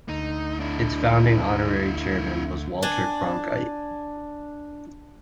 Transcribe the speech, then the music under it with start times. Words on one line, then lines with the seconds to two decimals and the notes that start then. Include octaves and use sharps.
Its founding honorary chairman was Walter Cronkite.
0.09 D2 D#4
0.60 D4 E4
2.83 D4 G#5